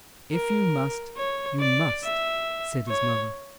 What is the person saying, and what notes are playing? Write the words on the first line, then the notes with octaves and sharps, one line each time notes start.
"If you must, you must," said his mother.
A#4
C#5
D5
E5
C#5